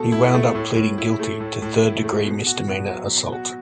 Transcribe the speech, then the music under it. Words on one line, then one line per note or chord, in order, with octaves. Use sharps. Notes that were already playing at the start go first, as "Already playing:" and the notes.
He wound up pleading guilty to third-degree misdemeanor assault.
Already playing: B2 A3 A4
E4
A3
A2
A2
E4
A3
A2
A2
E4
A3
B2
F#4
B3
F#3
B2
F#4